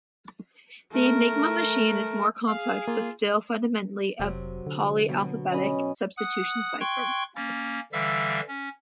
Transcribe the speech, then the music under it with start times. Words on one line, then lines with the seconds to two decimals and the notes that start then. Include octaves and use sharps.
The Enigma machine is more complex but still fundamentally a polyalphabetic substitution cipher.
0.92 A3 A#4
2.48 G#4 F5
2.88 A#3 F4
4.20 F1 C3 F#3
4.67 D3
5.09 B2 F#3
5.51 C#4 D#5 B5
6.17 F#5 D#6 F#6
6.80 G5 C6 C#6 F#6 G#6
7.36 A#3 C#4 A6
7.93 D3 E3 G3 E5 F5 E6
8.48 C#4